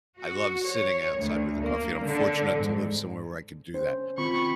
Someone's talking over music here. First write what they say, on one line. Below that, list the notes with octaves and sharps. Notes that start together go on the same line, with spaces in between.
I love sitting outside with the coffee, and I'm fortunate to live somewhere where I can do that.
F#4
C#5
D2
A#3
D3
G#2
C#4 C5
D#3 C4 F4 B5 C#6